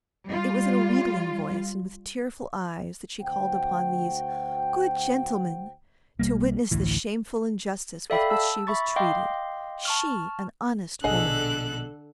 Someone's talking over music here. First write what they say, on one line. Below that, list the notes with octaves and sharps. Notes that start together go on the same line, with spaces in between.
It was in a wheedling voice, and with tearful eyes, that she called upon these "good gentlemen" to witness the shameful injustice with which she was treated--she, an honest woman.
G3 F4
D2 F#4 C5 F#5 G5
B1 G#2 G3 A#3
A1 D2 E3
A4 D5 E5 F5 G5 B5
A5 E6
E5 B5 C#6 A6
D#5 F5 G5 C6 D6
A5 C#6 F6
A#1 B2 D3 G#4 A4 D#5 F#5 F#6